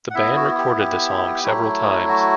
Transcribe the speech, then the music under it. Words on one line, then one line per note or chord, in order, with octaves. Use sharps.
The band recorded the song several times.
F#5
B3 E4 E5
F#4
G4
G4
F#3 A3 E4
F#4